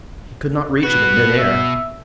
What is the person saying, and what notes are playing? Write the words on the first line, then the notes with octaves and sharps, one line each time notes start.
He could not reach it in mid-air.
B2 F#4 B4
E5